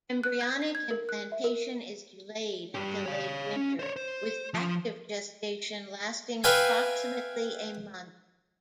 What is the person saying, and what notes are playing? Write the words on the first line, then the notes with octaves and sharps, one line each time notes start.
Embryonic implantation is delayed until late winter, with active gestation lasting approximately a month.
F#6
G#6
C7
G#6
A#4
F#6
E5
A#4
G2 G4
C#5 F5
C#4
C5 C#5
C5
F3 F4
B4 E5 F5 G5 G#5